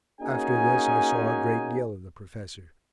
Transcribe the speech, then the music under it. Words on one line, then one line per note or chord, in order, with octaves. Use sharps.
After this I saw a great deal of the professor.
A#3 C#4 D#4 F#4 G#4 G#5